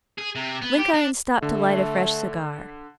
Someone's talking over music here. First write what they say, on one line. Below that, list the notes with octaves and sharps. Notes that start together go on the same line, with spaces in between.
Blenkiron stopped to light a fresh cigar.
G#4
C3
B3
G4
D4
D3 A3